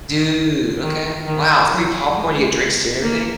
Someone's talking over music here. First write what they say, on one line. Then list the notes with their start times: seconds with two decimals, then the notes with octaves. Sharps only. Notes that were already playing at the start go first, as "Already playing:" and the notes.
Dude, okay. Wow, free popcorn, you get drinks too and everything?
0.82 D#3
1.26 D#3
1.71 F#3
2.14 G#3
3.02 A#3